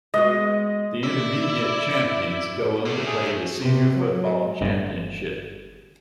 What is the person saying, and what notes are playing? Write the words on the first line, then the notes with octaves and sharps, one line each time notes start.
The Intermediate champions go on to play in the Senior football Championship.
G#3 B3 F#4 D#5
E4 D5
D3 A3
G#4
C3
F#3
G1